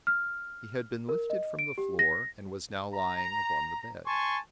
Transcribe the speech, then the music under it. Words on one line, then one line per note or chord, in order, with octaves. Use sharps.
He had been lifted from the floor, and was now lying upon the bed.
F6
A#4
D#5
D7
G4
A#6
A#5
G#5 A5 C6 C#6